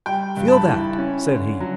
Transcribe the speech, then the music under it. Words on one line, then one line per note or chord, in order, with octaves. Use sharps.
"Feel that!" said he.
G3 G5
G2
A5
B5
E3
C#4
D3
F#3